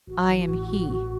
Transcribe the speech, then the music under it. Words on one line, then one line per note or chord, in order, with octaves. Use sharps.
"I am he."
A1 F#4
E3
A2
A1
A1